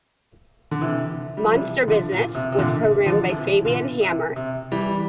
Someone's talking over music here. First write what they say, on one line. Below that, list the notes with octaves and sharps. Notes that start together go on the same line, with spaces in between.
"Monster Business" was programmed by Fabian Hammer.
D3
C3 E3
G3
F3
C3 E3
D3 F3
A#2
C3
C3
A#2 D3
D3 F3
C3 E3
E3
A#2 D3
C3
C3
E3 G3